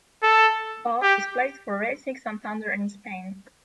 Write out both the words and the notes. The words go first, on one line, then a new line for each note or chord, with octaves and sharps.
Bahr has played for Racing Santander in Spain.
A4
G4